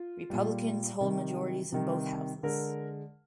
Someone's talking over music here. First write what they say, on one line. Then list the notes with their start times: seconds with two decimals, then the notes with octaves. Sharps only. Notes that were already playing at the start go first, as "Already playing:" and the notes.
Republicans hold majorities in both houses.
Already playing: F4
0.30 A#2 G3
1.01 C3 D#3 G3
1.72 C3 D#3 G3
2.43 D3 G#3 A#4